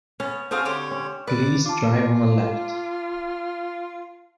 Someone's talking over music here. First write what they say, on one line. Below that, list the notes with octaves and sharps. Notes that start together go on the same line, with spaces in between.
Please drive on the left.
B3 C#4
C4 D4 F#4 G#4 A4 C5 F5
D3 G4 C5 C#5
C#4
B4 D5 D6 F#6
F4 A5 D6